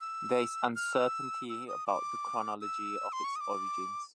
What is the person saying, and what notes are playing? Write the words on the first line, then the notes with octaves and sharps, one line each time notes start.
There is uncertainty about the chronology of its origins.
E6
F6
E6
E6
D#6
D6
E6
C6
C#6
D#6
D6